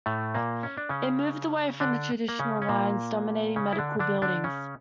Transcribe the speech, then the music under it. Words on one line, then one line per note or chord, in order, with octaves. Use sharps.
It moved away from the traditional lines dominating medical buildings.
A2 A3
A#2 A#3
C#4
D4
C#3 C#4
D3 D4
A#3
C#3 C#4
C#4
A#2 A#3
C#3 C#4
E4
D3 D4
D3 D4
D3 D4
C#3 C#4